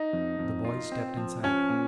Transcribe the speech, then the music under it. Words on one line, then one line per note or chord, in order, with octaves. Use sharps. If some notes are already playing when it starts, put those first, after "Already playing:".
The boys stepped inside.
Already playing: D#4
F2
F2
F4
C4
F3
F3 C#4
A#2